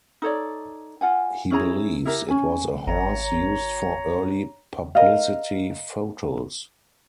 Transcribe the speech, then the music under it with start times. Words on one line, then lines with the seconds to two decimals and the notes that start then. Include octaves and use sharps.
He believes it was a horse used for early publicity photos.
0.22 D#4 A4 C#5 D5
1.01 F4 F#5 G#5
1.51 C#4 E4 G#4 A#5
2.05 E4 G4 A#4 E5
2.28 C#4 G#5
2.87 G#1 C#5 A#5
4.95 A#4 D#5 F5